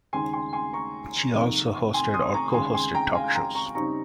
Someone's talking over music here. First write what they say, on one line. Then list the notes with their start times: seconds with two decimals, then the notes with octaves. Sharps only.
She also hosted or co-hosted talk shows.
0.13 D#2 C#3 G#3 D#4 G#5 C6
0.33 G#5 C6
0.53 G#5 C6
0.73 A#5 C#6
1.34 F2 C3 D#3 A#3
1.94 G#5 C6
2.14 C6 D#6
2.34 A#5 C#6
2.54 D#2 C#3 G#3 G#5 C6
2.74 G#5 C6
2.95 G5 A#5
3.15 F5 G#5
3.35 G5 A#5
3.55 A#5 C#6
3.75 C#3 G3 C4 D#4 A#5 C#6